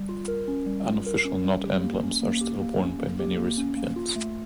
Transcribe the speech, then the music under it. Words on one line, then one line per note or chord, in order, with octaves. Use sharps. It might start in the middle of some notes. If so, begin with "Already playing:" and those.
Unofficial knot emblems are still worn by many recipients.
Already playing: G3
F4
A#4
C#4
G3
F4
A#4
C#4
G3
G4
A#3
C#4
A#3
G4
A#3
C#4
A#3
G4
A#3
C#4
A#3
F4
A3